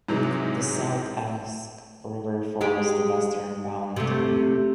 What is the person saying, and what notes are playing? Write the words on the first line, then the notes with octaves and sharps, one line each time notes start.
The South Esk River forms the western boundary.
G#2 C3 E3 F#3 G#3
G#3 G4
C3 A3